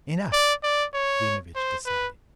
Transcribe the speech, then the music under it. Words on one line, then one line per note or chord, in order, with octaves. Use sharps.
"Enough!" Klinevitch decided.
D5
D5
C#5
C5
B4